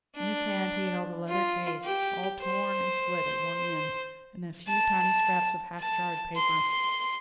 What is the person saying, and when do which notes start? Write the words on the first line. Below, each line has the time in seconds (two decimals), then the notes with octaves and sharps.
In his hand he held a leather case, all torn, and split at one end, and a few tiny scraps of half-charred paper.
0.16 D4
1.28 F4
1.85 G4
2.41 C5
4.67 A5
5.80 A5
6.36 C6